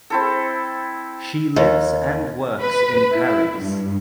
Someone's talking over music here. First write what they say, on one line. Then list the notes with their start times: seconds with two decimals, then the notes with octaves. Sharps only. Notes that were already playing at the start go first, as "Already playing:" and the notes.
She lives and works in Paris.
0.10 C4 E4 A4
1.56 D#2
2.62 B4
3.14 E4
3.60 G2